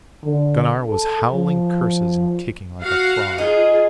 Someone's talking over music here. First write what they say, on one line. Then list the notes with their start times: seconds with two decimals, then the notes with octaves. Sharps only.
Gunnar was howling curses and kicking like a frog.
0.24 D3
0.88 A4
1.33 F3
2.81 F#4 F5 F#5
3.38 D#4 F4 G#4